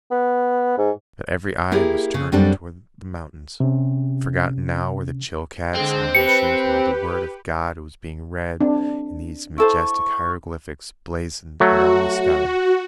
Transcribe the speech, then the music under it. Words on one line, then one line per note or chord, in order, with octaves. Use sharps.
But every eye was turned to the mountains. Forgotten now were the Chilcats and missions while the word of God was being read in these majestic hieroglyphics blazoned along the sky.
B3
G#2
A#3 E4 G4 G#4
C#3
F#2 G3 C4 D4 A4
C3 C#4
D3 G#3 C4
G4 B4 C#7
C4 D4
E4 A4 C5 C#6
F#3 A3 F#4